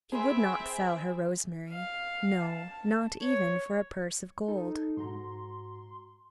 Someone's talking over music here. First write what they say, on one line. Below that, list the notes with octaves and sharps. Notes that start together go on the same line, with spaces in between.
She would not sell her rosemary; no, not even for a purse of gold.
C4 G#4 C5 E5 B5 C6
F5
A5
C#5
D#4 A4
G#2 F#4 A#5 C6